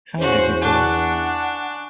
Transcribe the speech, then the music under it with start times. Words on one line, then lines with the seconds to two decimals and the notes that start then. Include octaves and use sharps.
How did you go?
0.18 E2 C#4 F#4 C5
0.61 D4 F#5 G#5 C#6 F#6